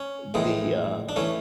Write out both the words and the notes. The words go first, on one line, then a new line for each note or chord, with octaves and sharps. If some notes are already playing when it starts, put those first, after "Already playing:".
the, uh,
Already playing: C#4
A#1 A2 E3 G#3
D4
E3 A3 C#4